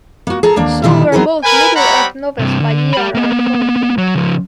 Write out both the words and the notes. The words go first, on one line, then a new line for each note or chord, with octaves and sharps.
So were both Middle-earth novels by J. R. R. Tolkien.
A#3 F#4
G#4 A4 A5 A#5
D#2 A#3 D4
A#2 D3 D#3 G3 E4
F#3 B3 C4 D#4 G#4 A#4
A#4 B4 G#5
G3 C4 C#5 F#5 A#5 B5
G2 C3
D3
G4 B5
A#3 B3
F#3
C#3 F3